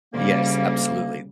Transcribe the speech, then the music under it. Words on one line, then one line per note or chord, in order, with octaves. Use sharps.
Yes, absolutely.
D2 C#3 G3 A#3